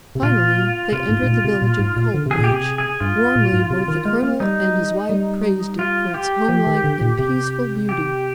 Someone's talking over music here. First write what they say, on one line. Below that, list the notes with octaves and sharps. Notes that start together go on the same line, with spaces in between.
Finally they entered the village of Cold Branch. Warmly both the Colonel and his wife praised it for its homelike and peaceful beauty.
C3
A#2 F4
C3 F4
G#2
G#2
A#2
C3
A#2
G#2
A#2
D3
C3 G#4
A#2
G4
C3 G#4
G#4
G2 F4
A#2
G#2
C3
D#3
G#3
A#3
G3 D#4
G3
F4
G4
F3 G4
D#3
D3
A#2
C3
G4